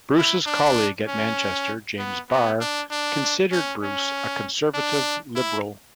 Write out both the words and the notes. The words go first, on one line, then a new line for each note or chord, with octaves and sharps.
Bruce's colleague at Manchester, James Barr, considered Bruce a conservative liberal.
E4
D4
C#4
B3
B3
D4
D4
C#4
C#4
D4
E4